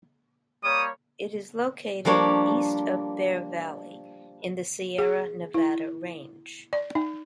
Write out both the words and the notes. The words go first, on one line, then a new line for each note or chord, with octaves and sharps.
It is located east of Bear Valley in the Sierra Nevada range.
G3 A#3 C#5 D#6
F3 G3 A#3 D4 C#5
G#4
E4
D5
D#4